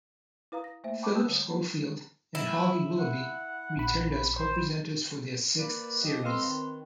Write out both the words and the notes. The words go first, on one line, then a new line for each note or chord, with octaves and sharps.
Phillip Schofield and Holly Willoughby returned as co-presenters for their sixth series.
E4 B4 F5 A#5 D#6
A#6
A3 A#3 C5 E5
G5 A5 B5 C#6 D6
G5 A5 D#6 E6 G6
D3 G3
E4
F#5
A#1 B5
C5
A#3 B4 D5
F3 G4 D#5
C4 A4 B4 D#5 F5 C6
D#3